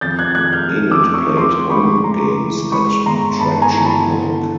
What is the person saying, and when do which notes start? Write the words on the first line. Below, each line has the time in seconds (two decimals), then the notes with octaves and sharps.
Enid played home games at Traction Park.
0.01 F2 G6 A6
0.19 F#6 G#6
0.35 A3 F#6 G#6
0.53 F6 G6
0.69 A3
0.91 D6 E6
1.03 F2
1.14 C#6 D#6
1.37 D2 C6 D6
1.70 G#3 B5 C#6
2.04 D2 A#5 C6
2.38 E3
2.72 G#3 B5 C#6
3.06 G1 A#5 C6
3.39 G1 A5 B5
3.62 G#5 A#5
3.73 E3
3.84 A5 B5
4.08 D3